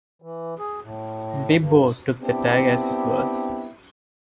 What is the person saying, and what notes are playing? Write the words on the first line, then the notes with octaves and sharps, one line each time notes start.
Bibbo took the tag as it was.
E3
G#4
A2
G2
B3 C4 D4 E4 G4